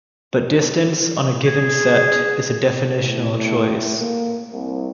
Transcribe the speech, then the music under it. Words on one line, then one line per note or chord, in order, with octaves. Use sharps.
But distance on a given set is a definitional choice.
G#4
A2
A#3
C2